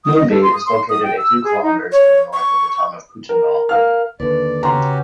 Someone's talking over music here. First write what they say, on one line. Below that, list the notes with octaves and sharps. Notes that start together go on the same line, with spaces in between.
Moonbi is located a few kilometres to the north of the town of Kootingal.
D#6
D#5
A4
C6
D#6
C6
D#6
G5
E6
G#4
D#4
C#5
C#6
A#4
A#4 F5 F6
D#2 D3 B4 D5
C#3 C#4 F#4 G4 A#5 C6